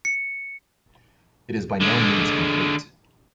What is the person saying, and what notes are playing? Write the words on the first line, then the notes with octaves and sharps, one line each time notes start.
It is by no means complete.
C#7
D3 G#3